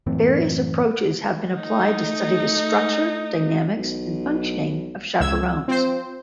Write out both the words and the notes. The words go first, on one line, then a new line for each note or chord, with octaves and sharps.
Various approaches have been applied to study the structure, dynamics and functioning of chaperones.
F#2 A2 E3 C4
A3 D#4
B1
C#2 E6 G#6
F3 C4 C5